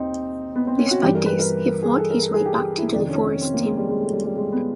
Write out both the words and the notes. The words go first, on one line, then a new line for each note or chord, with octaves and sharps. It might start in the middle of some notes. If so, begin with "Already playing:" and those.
Despite this, he fought his way back into the Forest team.
Already playing: D#2 C4 D#4
B3
C4
C#4
F#4
G2 E3 G4
A#4
B4
A#4
A#4
G#4
A4
A#4
A4
G#4
G4
E4
F2 C3 D#3 D4
C#4
C#4
C4
A#3
G#3
G3
G#3
A3
G3
G3
G#3
B3